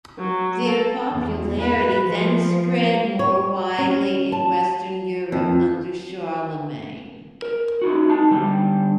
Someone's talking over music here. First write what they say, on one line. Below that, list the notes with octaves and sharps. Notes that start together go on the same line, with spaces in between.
Their popularity then spread more widely in western Europe under Charlemagne.
F#3
A4
E2
B4
F3
C#5
C#4
A5
F2
A#4
D#4 E4 F#4
D#4 A5
D3 G3 G4